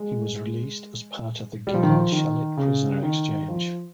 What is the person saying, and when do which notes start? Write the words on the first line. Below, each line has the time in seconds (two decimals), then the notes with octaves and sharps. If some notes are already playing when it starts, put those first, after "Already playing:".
He was released as part of the Gilad Shalit prisoner exchange.
Already playing: G#3
1.67 G3
1.74 F3
1.83 D#3
1.90 F3
2.12 D#3
2.57 C#3
3.03 D#3
3.48 F3